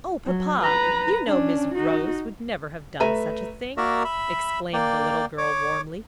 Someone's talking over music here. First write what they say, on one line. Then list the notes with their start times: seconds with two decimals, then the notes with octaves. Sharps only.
"Oh, papa, you know Miss Rose would never have done such a thing!" exclaimed the little girl warmly.
0.25 F#3
0.62 B4 A#5
1.26 C#4 D4
1.74 D#4 F#4
3.00 A3 B4 E5 A#5 D#7
3.77 A#3 F#4 A#4 D5 E5 A#5
4.05 E5 B5
4.74 A#3 D5 G5
5.38 C#5 D6